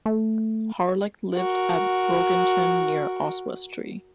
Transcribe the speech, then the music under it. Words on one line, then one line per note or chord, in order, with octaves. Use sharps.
Harlech lived at Brogyntyn near Oswestry.
A3
F#4 A#4